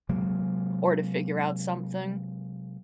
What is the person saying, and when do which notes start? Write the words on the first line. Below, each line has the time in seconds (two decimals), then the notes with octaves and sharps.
or to figure out something,
0.09 C3 F#3 G#3 A#3